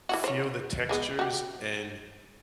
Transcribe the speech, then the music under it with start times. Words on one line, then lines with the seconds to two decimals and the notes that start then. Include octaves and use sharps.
feel the textures, and
0.09 E3 E4 F#4
0.24 C5 C#5
0.89 E3 G#3 B3
1.19 F#4 G4